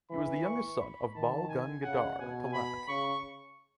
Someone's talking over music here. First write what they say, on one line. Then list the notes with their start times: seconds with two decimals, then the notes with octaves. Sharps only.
He was the youngest son of Bal Gangadhar Tilak.
0.11 E3 B5
0.45 C#6
0.80 B5
1.15 D#3 A5
1.49 G#5
1.84 C#3 F#5
2.20 B2 G#5
2.53 B5
2.88 C#3 C#6